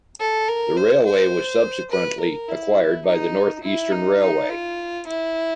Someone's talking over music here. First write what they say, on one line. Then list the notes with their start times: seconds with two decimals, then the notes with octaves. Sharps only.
The railway was subsequently acquired by the North Eastern Railway.
0.20 A4
0.48 A#4
0.77 C5
1.05 C5
1.91 B4
2.20 A#4
2.49 E4
3.06 D#4
3.63 E4
3.92 D#4
4.21 D#4
4.49 F4
5.06 E4